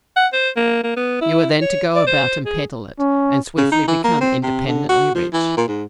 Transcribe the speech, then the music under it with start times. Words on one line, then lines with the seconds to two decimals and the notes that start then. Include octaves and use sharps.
You are then to go about and peddle it, and swiftly become independently rich.
0.16 F#5
0.33 C5
0.56 A#3
0.84 A#3
0.97 B3
1.21 E4
1.62 C#5
1.95 D5
2.07 C5
2.46 G#4
2.99 C#4
3.57 C#3
3.72 D#4
3.88 E3
4.04 A#3
4.21 C4
4.43 C3
4.67 D3
4.89 F#4
5.15 F3
5.33 E3
5.57 A#2
5.68 G#2